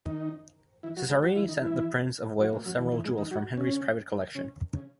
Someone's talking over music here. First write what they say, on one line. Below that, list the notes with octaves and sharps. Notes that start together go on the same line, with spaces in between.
Cesarini sent the Prince of Wales several jewels from Henry's private collection.
D#3 D#4
E3 E4
F#3 F#4
G#3 G#4
F#3 F#4
E3 E4
D#3 D#4
E3 E4
F#3 F#4
A#2 A#3
F#2 F#3
E2 E3
E2 E3
G#2 G#3
D#3 D#4
F#3 F#4
C#3 C#4
C#3 C#4
C#3